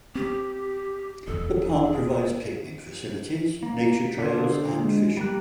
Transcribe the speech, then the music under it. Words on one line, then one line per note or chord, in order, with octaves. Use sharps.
The park provides picnic facilities, nature trails, and fishing.
C4 G4
E1 F2 A4
G#4
A#3
B6
D3 D4 A4 C5
G#3
G3 A#3 G4 F#6